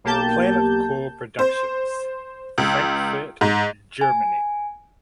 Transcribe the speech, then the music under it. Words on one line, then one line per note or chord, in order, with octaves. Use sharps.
Planet Core Productions, Frankfurt, Germany.
B1 A#3 G4 A5 G6
C5
C#2
G#2
G#5